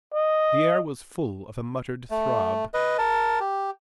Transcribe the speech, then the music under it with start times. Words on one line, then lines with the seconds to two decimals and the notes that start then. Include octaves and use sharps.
The air was full of a muttered throb.
0.14 D#5
2.10 A3
2.74 B4 D#5
2.98 A#4 A5
3.40 G4